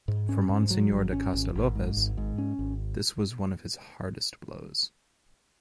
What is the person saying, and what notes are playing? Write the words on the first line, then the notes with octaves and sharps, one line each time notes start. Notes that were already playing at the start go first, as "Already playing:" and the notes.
For Monsignor da Costa Lopes this was one of his hardest blows.
G#2
C#4
G#2
F#3
G#1
C#4
G#1
G#1
G#2
G#1
G#2
C#4
G#1